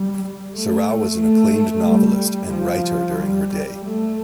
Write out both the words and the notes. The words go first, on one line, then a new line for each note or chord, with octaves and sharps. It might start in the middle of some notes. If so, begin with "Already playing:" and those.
Serao was an acclaimed novelist and writer during her day.
Already playing: G3
A3
A3
G3
F3
G3
A3